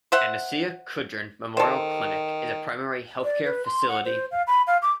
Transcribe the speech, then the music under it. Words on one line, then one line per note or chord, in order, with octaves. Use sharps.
Anesia Kudrin Memorial Clinic is a Primary Health Care facility.
C5 E5 F#5
D#3 A4 C5
D5
B4
C6
F#5
C5
F5
B5
F5
D6